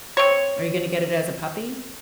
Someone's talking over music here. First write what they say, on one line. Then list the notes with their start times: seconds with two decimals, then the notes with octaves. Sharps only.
are you gonna get it as a puppy?
0.17 C4 C#5